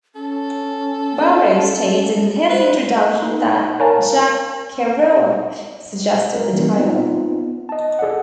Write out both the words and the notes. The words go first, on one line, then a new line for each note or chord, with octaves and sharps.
Burroughs states in his introduction that Jack Kerouac suggested the title.
C#4 A4
B4 C5
D#4
A#4 C#5 F5 G#5 A5
G#3 A#4
E3 G3 A#3 C#4
B3 C4 D#4 F4
D#5 A5
G#4 A4 D5 D#5 F#5